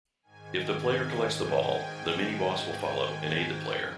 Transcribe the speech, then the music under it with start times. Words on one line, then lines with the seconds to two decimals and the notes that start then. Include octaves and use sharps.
If the player collects the ball, the miniboss will follow and aid the player.
0.23 G#2 D#3 G#5
1.07 G5
3.61 F2 C#3